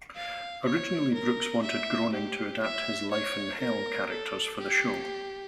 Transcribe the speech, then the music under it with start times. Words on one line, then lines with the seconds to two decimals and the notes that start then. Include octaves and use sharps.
Originally, Brooks wanted Groening to adapt his "Life in Hell" characters for the show.
0.16 F5
0.65 C#5
1.14 A#4
1.63 E5
2.13 G4
2.62 E5
3.11 C#5
3.60 A#4
4.10 A4
4.59 G4